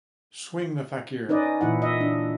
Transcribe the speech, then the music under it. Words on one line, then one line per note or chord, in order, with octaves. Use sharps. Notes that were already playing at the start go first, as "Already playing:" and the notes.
Swing the Fakir.
C#4 D#4 B4 D5 D#5
A#2 E3 E4 F#5
D#5 E5
D4